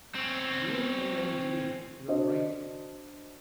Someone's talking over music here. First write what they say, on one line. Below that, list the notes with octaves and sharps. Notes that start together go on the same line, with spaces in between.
Gwynplaine and Dea were grateful.
C4 C#4
D4 F#4 C5 D#5